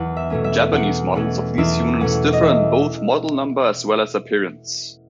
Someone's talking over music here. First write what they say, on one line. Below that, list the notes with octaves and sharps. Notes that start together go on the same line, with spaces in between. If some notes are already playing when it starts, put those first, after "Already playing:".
Japanese models of these units differ in both model number as well as appearance.
Already playing: E2 F#5
E5
B2 A3 C#4
E5
E2 F#5
B2 A3 C#4 F#5
E2 E5
B2 A3 C#4 F#5
D#5
E2 E5